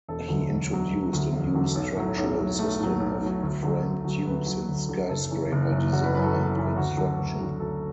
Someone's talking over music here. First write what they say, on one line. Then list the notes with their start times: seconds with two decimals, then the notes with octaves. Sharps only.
He introduced a new structural system of framed tubes in skyscraper design and construction.
0.09 E1 A4
0.28 D2 D3 F#3
0.50 E1
0.70 D2 D3 F#3
0.91 E1 F#4
1.13 D2 D3 F#3
1.33 E1
1.55 D2 D3 F#3
1.75 B1 A4
1.96 A2 F#3
2.17 B1
2.38 A2 F#3
2.59 B1 A3
2.80 A2 F#3
3.00 B1
3.22 A2 F#3
3.43 D2
3.63 D3 F#3
3.84 D2
4.05 D3 F#3
4.26 D2 B4
4.46 D3 F#3
4.68 D2
4.89 D3 F#3
5.09 F#1 A4
5.31 F#2 E3
5.52 F#1
5.72 F#2 E3
5.93 F#1 F#4
6.03 B4
6.15 F#2 E3 B4
6.24 A4
6.34 F#1
6.56 F#2 E3
6.76 D2 F#4
6.97 D3 F#3
7.19 D2
7.40 D3 F#3
7.60 D2 A4